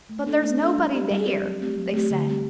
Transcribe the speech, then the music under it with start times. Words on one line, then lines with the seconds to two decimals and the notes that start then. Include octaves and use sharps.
"But there's nobody there," they said.
0.09 A3
0.26 D4 A4
0.42 A3
0.60 D4 A4
0.76 G3
0.93 C4 G4 D5
1.10 G3
1.27 C4 G4 D5
1.43 F#3
1.61 A3 C4 G4
1.78 F#3
1.94 A3 C4 G4
2.10 D3
2.27 G3 C4 G4